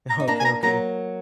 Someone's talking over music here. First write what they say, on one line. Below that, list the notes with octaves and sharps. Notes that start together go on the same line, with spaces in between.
Okay, okay.
A#5
D#4
A#3 D4 A#5
G#5
A#5
F#3 A#3 A#5